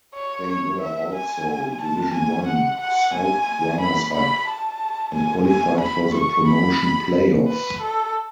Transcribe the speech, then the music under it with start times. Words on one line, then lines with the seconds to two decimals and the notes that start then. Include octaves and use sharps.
They were also Division One South runners-up and qualified for the promotion play-offs.
0.14 C#5
0.48 C#5
0.81 E5
1.14 G#5
1.81 A5
2.14 G#5
2.47 F#5
2.80 F#5
3.14 G#5
3.81 B5
4.14 B5
4.48 A5
5.14 G#5
5.47 G#5
5.81 B5
6.14 C#6
6.47 B5
7.47 B4
7.81 A4